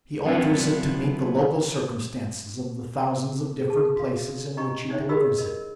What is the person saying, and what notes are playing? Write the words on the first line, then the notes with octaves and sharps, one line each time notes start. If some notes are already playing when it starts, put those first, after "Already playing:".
He alters it to meet the local circumstances of the thousands of different places in which he delivers it.
F#3 B3 C4 D4 E4 F4
G#4 A5
F#4 F5
D4 G4 D#5 A#5 C#6
D4 D#4 C5 C#5 E5 G5
F4 G4 G#4 D#5 B5 E6
A#4 D#5